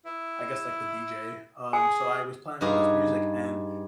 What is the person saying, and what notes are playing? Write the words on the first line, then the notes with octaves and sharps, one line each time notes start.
I guess like the DJ, um, so I was playing all this music and
E4
G#4 G#5
G2 D#4 F#4 G#4 F5